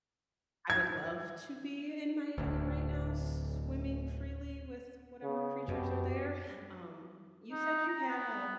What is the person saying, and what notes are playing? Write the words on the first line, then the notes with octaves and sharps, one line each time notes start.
I would love to be in Miami right now, swimming freely with whatever creatures are there. Um, you said you had a
G#6
D1 D2
C#3 B3
F#2 B2 G4
D#4
A#5
B3